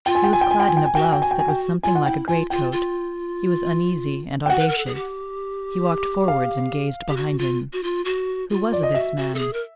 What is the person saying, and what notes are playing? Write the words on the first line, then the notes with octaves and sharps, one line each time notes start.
He was clad in a blouse that was something like a great coat; he was uneasy and audacious; he walked forwards and gazed behind him. Who was this man?
F4 G5
G#5
G5
G#5
G5
G#5
G5
G#5
G5
G#5
F#4 G5
G#5
G5
G#5
G5
G#5
G5
F4 G#5
F#5
E4 G5
F4 G#5
F4 G5
F4
G5
F#4 F#5
B4
A#4
A4
G#4
G4
F5
G4
F#4
F4
F#4
F4
F#4
F4
D5
D#5
F#4 E5
F#4
A4
G#4
A#4